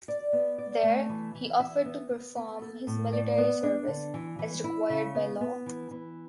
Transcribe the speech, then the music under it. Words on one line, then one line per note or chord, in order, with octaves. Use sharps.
There, he offered to perform his military service, as required by law.
D5
B3
D5
A3
E3
E3
E5
B3
B3
B3
A4
A2
D5
B3
D4
D3
E3
E3
E4
C#3
B3
B3
E3
E3